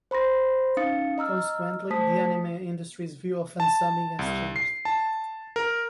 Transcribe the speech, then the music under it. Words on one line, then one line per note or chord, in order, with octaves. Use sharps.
Consequently, the anime industry's view of fansubbing has changed.
C5 B5 C6 A#6
C#4 D#4 F5 D#6 A6 C#7
D#5 A#5 E6 F6
A3 C5 A5 D#6 B6
A5
C2
C7
A5
A#4